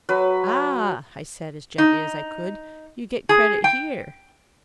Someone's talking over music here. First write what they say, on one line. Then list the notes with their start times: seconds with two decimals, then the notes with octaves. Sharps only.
"Ah," I said, as gently as I could, "you get credit here."
0.09 F#3 B4
1.78 D#4
3.29 G#4
3.64 G5